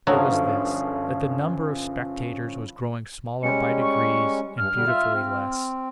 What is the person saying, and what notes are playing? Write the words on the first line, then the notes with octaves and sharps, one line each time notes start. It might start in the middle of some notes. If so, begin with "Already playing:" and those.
It was this--that the number of spectators was growing smaller by degrees and beautifully less.
G1 G2 D3 F3 F#3 C#4 G#4
G3 G#3 C#4 C#7
C#6
G2 F6
D3 G3
F4 E5
C4